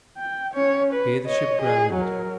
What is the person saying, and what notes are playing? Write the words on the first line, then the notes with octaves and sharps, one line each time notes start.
Here the ship grounded.
G5
C#4 C#5
B4
C#5 D#5
G#4
F#3 A#4